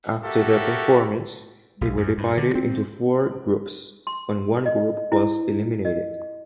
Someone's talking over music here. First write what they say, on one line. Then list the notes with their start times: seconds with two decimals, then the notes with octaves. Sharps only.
After their performance, they were divided into four groups and one group was eliminated.
0.23 A#3 F#4 G4 A4 A#4 E5
1.81 B1
1.97 F#2
2.18 G2
2.37 D3
2.55 C4
4.07 C6
4.66 D#5
5.12 E4
5.85 D#5